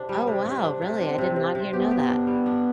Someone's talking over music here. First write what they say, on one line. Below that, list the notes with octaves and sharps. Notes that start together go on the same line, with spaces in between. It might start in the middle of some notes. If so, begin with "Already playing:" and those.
Oh, wow, really, I did not hear know that.
Already playing: C3 D4
G3
C3
C3
D4
C3
C4 D4
C3
C3
C3
B3 G4
G4
D4
G3
D4